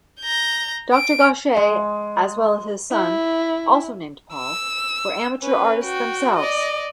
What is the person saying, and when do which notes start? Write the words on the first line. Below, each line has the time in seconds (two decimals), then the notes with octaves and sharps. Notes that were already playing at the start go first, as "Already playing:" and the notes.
Doctor Gachet, as well as his son, also named Paul, were amateur artists themselves.
0.21 A#5 G6
0.93 D7
1.57 G#3
2.92 E4
4.34 E6
5.42 C#4 B4
5.84 F#4 G5
6.37 D5 D#5